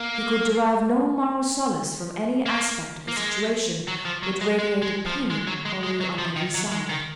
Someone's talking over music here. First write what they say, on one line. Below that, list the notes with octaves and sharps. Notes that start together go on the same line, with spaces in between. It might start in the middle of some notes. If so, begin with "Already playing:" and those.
He could derive no moral solace from any aspect of the situation, which radiated pain only on every side.
Already playing: A#3
A#3
A#3
G#3
F#3
F3
F#3
G#3
G#3
G#3
F3
G#3
F#3
G#3
G#3
F#3
F3
D#3
F#3
G#3
D#3